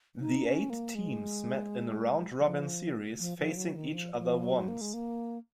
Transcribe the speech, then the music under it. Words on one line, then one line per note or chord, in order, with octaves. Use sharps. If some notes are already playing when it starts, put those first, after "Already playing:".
The eight teams met in a round-robin series, facing each other once.
D#4
C#4
A#3
G#3
F#3
F3
F3
F3
F#3
D#3
F3
F#3
F3
F#3
A#3
G#3
A#3